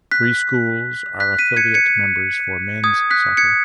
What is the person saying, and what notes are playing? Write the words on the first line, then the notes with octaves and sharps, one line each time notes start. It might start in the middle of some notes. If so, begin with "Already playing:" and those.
Three schools are affiliate members for men's soccer.
F#6 B6
F#6 B6
B6 D#7
G#6 C#7
G#6 C#7
D#6 G#6
F#6 B6
G#6 C#7